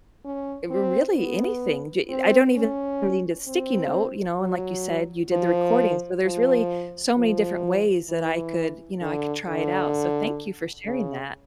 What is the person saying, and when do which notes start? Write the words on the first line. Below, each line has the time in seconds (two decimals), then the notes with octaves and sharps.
r really anything, j I don't even need a sticky note, you know, and like you said, you did the recording, so there's really so many different ways that I could you know, I could try it out, so thank you for sharing that.
0.25 C#4
0.70 C4
1.16 B3
2.09 C4
2.55 C#4
3.47 C4
4.40 F#3
5.32 F3
6.24 F3
7.17 F3
8.09 E3
9.01 D3
9.47 D3
10.85 C#3